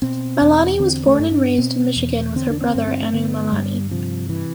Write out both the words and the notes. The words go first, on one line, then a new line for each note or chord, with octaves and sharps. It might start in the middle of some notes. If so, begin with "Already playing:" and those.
Malani was born and raised in Michigan with her brother Anu Malani.
B2 C4
E2
D3 C4
A3
G2
D4
B2 C4
E2
D3 C4
D4
C4
G2
C4
A3
D3 B3
G2 G3
C3 F3
E3